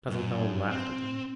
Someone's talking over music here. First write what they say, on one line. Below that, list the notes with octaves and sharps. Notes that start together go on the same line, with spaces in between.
Cousin Helen laughed again.
F#2
C4